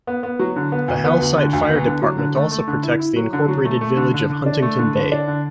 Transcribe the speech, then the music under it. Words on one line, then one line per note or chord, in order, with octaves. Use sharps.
The Halesite Fire Department also protects the incorporated village of Huntington Bay.
B3
B3
F#3
D3
B3
D2
B3
D2
D3
D2
B3
D3
F#3
D3
A3
A3
D3
E4
E4
F#3
D3
F#3
A3
A3
D3
D3
D3
D4
A3
D3
D3
D4
D3